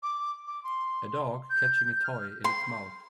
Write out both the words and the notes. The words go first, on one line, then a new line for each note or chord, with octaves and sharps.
A dog catching a toy in its mouth.
D6
D6
C6
G6
F6
C6